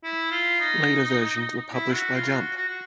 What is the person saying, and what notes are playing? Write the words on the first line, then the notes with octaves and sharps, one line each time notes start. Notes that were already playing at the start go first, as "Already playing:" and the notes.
Later versions were published by Jump!
E4
F4
D#4
E4
F#4
F4
F#4
F#4
F#4